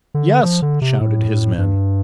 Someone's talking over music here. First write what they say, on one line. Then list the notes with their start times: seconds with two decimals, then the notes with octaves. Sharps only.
"Yes," shouted his men.
0.14 D3
0.43 F3
0.62 D3
0.82 C3
1.01 A2
1.58 G2